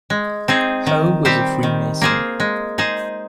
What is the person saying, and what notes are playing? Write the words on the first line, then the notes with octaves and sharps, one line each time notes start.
Hoe was a Freemason.
G#3
C4 D#4 G#4
D#3
G3 C4 G4 C5
D#3
A#3 F4 G#4 C5
G#3
D#4 G#4 C5